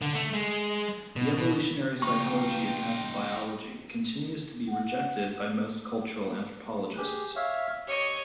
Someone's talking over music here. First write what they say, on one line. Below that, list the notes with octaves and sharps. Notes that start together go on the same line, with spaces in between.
The evolutionary psychology account of biology continues to be rejected by most cultural anthropologists.
D3
A3
G#3
B2
B2
A#2 C#3 F3 D#4 F4 G5 C#6
F#5
G4 G#4
C#5 E5 F5
G4 C#5 D#5